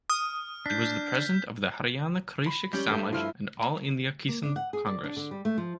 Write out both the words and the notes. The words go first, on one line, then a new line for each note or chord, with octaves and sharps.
He was the president of the Haryana Krishak Samaj and All India Kisan Congress.
D#6 F6
D4 G6 B6
B5
G3 C#4 C#5 G6 F#7
G2 A3
F3 E4 F6
A#3
D4
F#5
G#4
D5
D4
D3
G3
A3
F3